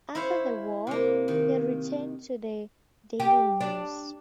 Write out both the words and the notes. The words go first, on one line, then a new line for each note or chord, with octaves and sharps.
After the war, he returned to the "Daily News".
E4 C5 C#5 F5
C3 A#3
D#3
G4
D4